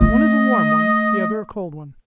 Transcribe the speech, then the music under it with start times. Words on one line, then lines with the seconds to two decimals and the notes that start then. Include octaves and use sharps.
"One is a warm one, the other a cold one!"
0.01 A3 D#5